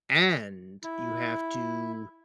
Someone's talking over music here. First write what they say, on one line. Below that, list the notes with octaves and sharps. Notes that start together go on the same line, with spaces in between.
and you have to
E4